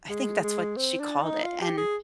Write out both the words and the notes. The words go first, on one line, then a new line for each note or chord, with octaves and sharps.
I think that's what she called it, and
G#3
G#3
C4
D4
D#4
F4
G4
G#4